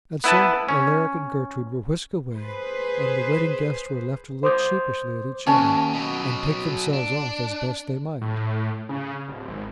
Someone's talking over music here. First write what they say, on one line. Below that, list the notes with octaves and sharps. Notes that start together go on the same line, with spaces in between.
And so Alaric and Gertrude were whisked away, and the wedding guests were left to look sheepish at each other, and take themselves off as best they might.
B3 E4 B4 A5
C#4
G#4 B4 C5
C5 C6 D6 D#6 G6
D#2 C#4 C#5 A5
B2 F#3
D4
A2
C#3
D1
G#1